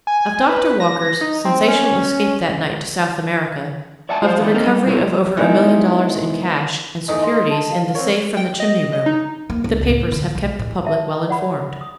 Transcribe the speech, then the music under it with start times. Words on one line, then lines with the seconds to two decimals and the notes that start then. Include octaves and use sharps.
Of Doctor Walker's sensational escape that night to South America, of the recovery of over a million dollars in cash and securities in the safe from the chimney room--the papers have kept the public well informed.
0.07 G#5
0.49 B4
0.80 A#6
1.21 D#4
1.45 C4
1.68 C#4
4.09 D5 E5 F#5 G#5 A5
4.22 F4 C5 F5
4.40 E2 E4 A4
4.54 A#3 C4 D#4 A#4 D#5
4.67 G3
4.86 B2 E4 F4 A#4 B4 C#5
5.37 D#3 G#3 B3 C4 D#4 E4
7.08 E2 A3 D#4 D#5
7.22 D#5 C6
7.50 A5
7.71 F5
7.95 C4 A#4 C#5
8.37 G5
8.60 D#5
8.93 D#5
9.06 D#4
9.50 A#3
9.64 C#2
9.89 A2
10.12 D3
10.35 B1
10.59 A2
10.85 E5 A5
11.29 D5 F#5 B5
11.81 D#6